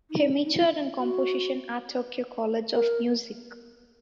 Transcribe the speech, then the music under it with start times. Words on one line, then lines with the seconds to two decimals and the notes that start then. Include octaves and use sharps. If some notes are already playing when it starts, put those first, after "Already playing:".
He majored in composition at Tokyo College of Music.
0.10 D#4
0.45 D#4
0.53 E4
0.98 F#4
2.72 A#4